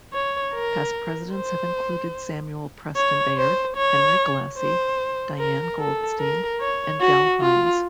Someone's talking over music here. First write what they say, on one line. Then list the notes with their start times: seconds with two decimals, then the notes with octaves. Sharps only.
Past presidents have included Samuel Preston Bayard, Henry Glassie, Diane Goldstein, and Dell Hymes.
0.13 C#5
0.54 A#4
1.35 C5
2.96 C#5
3.37 C5
3.77 C#5
4.58 C5
5.39 A#4
5.80 A4
6.20 A#4
6.61 C#5
7.01 F#4
7.42 F4